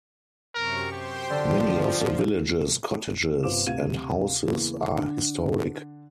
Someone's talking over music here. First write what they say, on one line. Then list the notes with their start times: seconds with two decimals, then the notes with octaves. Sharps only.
Many of the village's cottages and houses are historic.
0.55 F#2 C3 A#4 C#6
0.92 G4 C5 G5 C6
1.30 D3 F3
3.43 G1 C3 F4 C5 D6 E7
3.67 D2 C3 F5 G#6 D#7
4.47 E2 C#3 E3 A#3
4.94 D3 D4